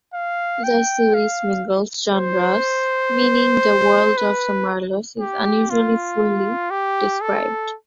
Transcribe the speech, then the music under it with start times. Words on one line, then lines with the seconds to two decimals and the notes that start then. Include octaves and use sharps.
The series mingles genres, meaning the world of the Marlows is unusually fully described.
0.14 F5
0.64 G5
1.14 F5
2.15 C5
4.17 B4
5.20 G4
5.70 F4
6.70 G4
7.22 A4